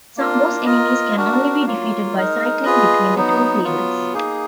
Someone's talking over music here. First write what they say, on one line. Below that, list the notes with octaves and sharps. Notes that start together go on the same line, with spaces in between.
Some boss enemies can only be defeated by cycling between the two fields.
A#3 D4 F4 A#4
F4 A#4 D#5
D4 F#4 A#4
F#3 A#3 F4
G#3 D#4 A#4
F4 G#4 B4 D#5
F#3 B3 D#4
F#3 B3 F4
A#3 D#4 G#4